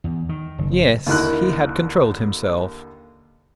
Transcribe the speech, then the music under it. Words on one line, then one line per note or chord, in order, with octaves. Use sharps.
Yes, he had controlled himself.
E2
D#3
F#1
D#2 D3 D#4 E4 A#4 F#6